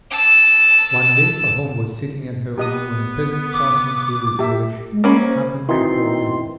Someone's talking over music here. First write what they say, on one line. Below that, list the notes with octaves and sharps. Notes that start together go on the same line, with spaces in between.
One day Pahom was sitting at home, when a peasant passing through the village, happened to call in.
A5 E6
B3 G4 D#5 D#6
D6
G4 E5
G#3
G#3 A#3 C#4 B5
C5
D#3 E3 C4 D#4 E4 F#4 C6